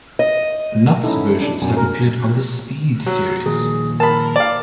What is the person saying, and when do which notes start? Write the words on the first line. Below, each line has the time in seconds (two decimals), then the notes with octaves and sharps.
Nuts versions have appeared on the "Speed" series.
0.19 D#5
1.04 C#4 D#4 E4 A4
1.42 D4
1.62 F#2 B2 G#5
1.77 A#4
3.06 F#3
3.46 A#2 D#3 F3 G#4
4.00 A#4 A5 B5
4.36 D5 F5